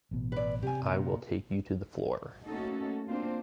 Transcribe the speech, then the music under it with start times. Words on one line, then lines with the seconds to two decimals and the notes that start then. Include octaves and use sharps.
I will take you to the floor.
0.11 A1 B2
0.32 B4 D5
0.62 C3 G4 G#5
0.86 A#2
2.46 A3 A#3 C#4 D#4 F#4 A4
3.07 A#3 C4 D4 F4 C5